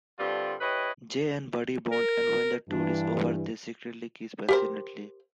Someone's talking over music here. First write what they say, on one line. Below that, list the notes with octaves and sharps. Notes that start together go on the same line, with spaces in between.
Jay and Buddy bond, and when the tour is over they secretly kiss passionately.
G2 D3 G3 C4 F4
E4 G4 B4 C#5 D#5
A#4
G2 E3 D4
G4 A#4 C5